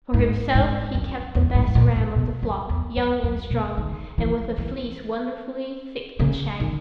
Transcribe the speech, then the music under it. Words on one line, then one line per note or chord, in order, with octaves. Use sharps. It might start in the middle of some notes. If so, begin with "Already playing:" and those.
For himself he kept the best ram of the flock, young and strong, and with a fleece wonderfully thick and shaggy.
G#2
G#2
F#2
E2
G#2
A#2
G#2
B2
F#2
E2
F#2
F#2
B2
D#3
E3
E3
C#3
D#3